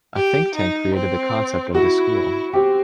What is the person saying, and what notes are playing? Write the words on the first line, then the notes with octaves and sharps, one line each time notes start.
A think tank created the concept of the school.
G4
D#4
C4
E4 F#4
C4 G4